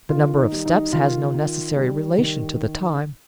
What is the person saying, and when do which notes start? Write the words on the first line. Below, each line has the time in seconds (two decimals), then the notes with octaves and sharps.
The number of steps has no necessary relation to the time.
0.09 D#3 F4
0.37 D#4
0.52 G3
0.65 D#4
0.93 D#3 F4
1.34 D#3
1.76 G3
2.18 D#3